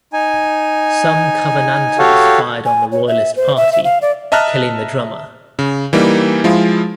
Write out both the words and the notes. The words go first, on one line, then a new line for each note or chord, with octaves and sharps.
Some Covenanters fired on the Royalist party, killing the drummer.
D#4 G#5
F#4 G4 A4 C#5 F5
G#5
C#5
E5
C5
E5
E5
F5
D5
D#5 E5 A5 A#5 F6 F#6
C#3
E3 G3 A#3 D#4
F3 G#3 E4 F4